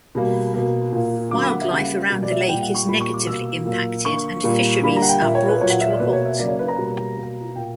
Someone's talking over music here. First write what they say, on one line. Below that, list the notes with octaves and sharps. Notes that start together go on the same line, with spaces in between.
Wildlife around the lake is negatively impacted and fisheries are brought to a halt.
B2 G3 A#3
B2 A#3
A#2 A#3
D3 F#3 A#3 D6
B5
F#5
E5
C#3 G3 A#3 F#5
B2 G3 A#3
D5
E5
F#5
A#2 G3 A#3 G5
F#5
C#6
A#2 G3 A#3 B5
C#6
D6
B2 A#3 E6
A#2 F#3 A#3
D3 A#3 C#6
A#2 G3 A#3
D3 G3 A#3 B5
A#5
F#5
G5
A#2 A#3 E5
C#5
B4
A#2 F#3 A#3 C#5
F#5
E5
D5
B2 A#3 B4
C#5
E5
C#3 F#3 A#3 D5
C#5
B4
A#5
B2 G3 A#3
B2 A#3
A#2 A#3 G5